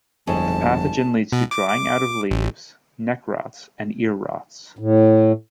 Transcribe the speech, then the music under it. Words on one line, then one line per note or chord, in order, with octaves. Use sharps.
The pathogen leads to drying out of leaves, neck rots and ear rots.
G1 F2 A2 G#3 C#4 A5
B2
D6
D6
A1
A2